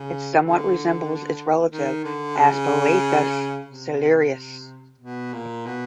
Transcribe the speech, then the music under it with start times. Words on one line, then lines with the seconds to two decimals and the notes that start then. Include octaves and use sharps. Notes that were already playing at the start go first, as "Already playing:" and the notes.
It somewhat resembles its relative "Aspalathus ciliaris".
Already playing: C#3
0.39 D3
1.71 D#3
2.04 D3
2.37 C#3
3.69 C3
5.00 B2
5.33 A#2
5.66 B2